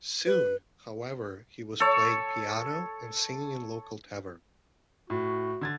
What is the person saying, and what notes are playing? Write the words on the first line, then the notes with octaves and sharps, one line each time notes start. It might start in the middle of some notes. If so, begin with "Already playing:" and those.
Soon, however, he was playing piano and singing in local taverns.
B4
A4 C#5
A2 F#4
D3 G#6 A6